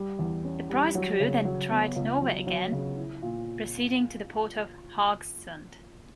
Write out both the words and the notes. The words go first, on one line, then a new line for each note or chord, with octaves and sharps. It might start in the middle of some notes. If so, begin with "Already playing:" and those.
The prize crew then tried Norway again, proceeding to the port of Haugesund.
Already playing: G3
E2
C#4
G3
F#3
C#3
F#3
B3
C#2
F#3
F#3
C#3
E4
A#2